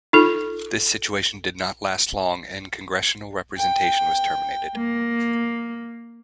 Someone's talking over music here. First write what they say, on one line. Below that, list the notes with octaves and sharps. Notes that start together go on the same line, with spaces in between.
This situation did not last long and congressional representation was terminated.
D#4 F4 A4
G5
A#3